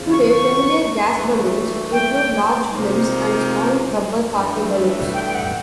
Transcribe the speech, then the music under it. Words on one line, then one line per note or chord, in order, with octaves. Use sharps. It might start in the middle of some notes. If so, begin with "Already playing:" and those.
Today, familiar gas balloons include large blimps and small rubber party balloons.
Already playing: E2 C#3 F3
C#6
C#6
G2 E3 A3
G5
C3 F3 A#3 D#4
G2 E3 A3
G5
G5
F#5